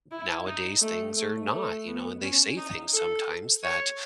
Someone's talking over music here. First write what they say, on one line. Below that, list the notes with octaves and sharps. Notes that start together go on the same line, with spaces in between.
nowadays things are not, you know, and they say things sometimes that
E4
D#4
A3
A3
A3
B3
C#4
D#4
A4
C#5